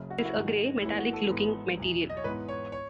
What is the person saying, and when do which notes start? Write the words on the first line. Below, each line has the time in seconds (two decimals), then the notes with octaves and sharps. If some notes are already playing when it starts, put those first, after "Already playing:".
It is a grey, metallic looking material.
Already playing: F#1 F#2 C#3
0.10 F#4
0.18 E4
0.25 F#4
0.34 G#2 D#3 G#3
0.81 A1 A2 E3 B3 E4
0.98 F#4
1.13 A4
1.30 G#1 G#2 E3 B3
1.77 E2 B2 F#3
2.09 D#5
2.17 C#5
2.24 G#2 E3 B3 B4
2.48 C#5
2.72 C#5